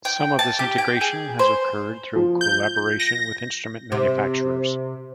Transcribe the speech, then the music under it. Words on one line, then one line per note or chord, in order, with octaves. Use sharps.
Some of this integration has occurred through collaboration with instrument manufacturers.
G5
A5
G4
G5
G#4
C5
F3
G6
A#6
C3